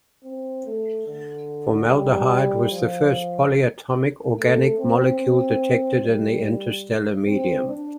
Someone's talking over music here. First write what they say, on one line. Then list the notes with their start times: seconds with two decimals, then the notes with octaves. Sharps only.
Formaldehyde was the first polyatomic organic molecule detected in the interstellar medium.
0.24 C4
0.66 A3
1.07 D3
1.89 G3
2.72 F3
4.38 A3
4.79 C4
5.20 C4
6.02 G3
7.26 C4
7.67 D4